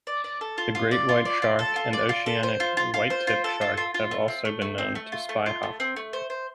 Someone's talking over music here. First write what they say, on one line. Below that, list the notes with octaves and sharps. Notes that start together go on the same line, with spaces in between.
The great white shark and oceanic whitetip shark have also been known to spyhop.
D5
D5
A4
F4
F4
D5
F4
D5
F4
A4
F4
D5
F4
A4
C5
F4
F4
F4
C5
F4
A4
F4
F4
F4
A3
C4
A3
A3
C4
A3
F4
A3
F4
A3
C4
A3
C5
C5